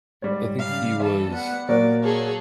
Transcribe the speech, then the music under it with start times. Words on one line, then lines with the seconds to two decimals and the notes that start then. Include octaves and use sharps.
I think he was
0.22 G#2 G3 C#5
0.59 C#3 F5
0.98 E3 A4
1.31 B3 F#5
1.68 A#2 F#3 A#3 D5
2.04 G#4 A4 C#5